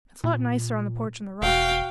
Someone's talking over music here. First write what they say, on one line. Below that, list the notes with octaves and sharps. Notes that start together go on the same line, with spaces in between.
It's a lot nicer on the porch in the rocker.
A#2
E1 F#4 F5 G5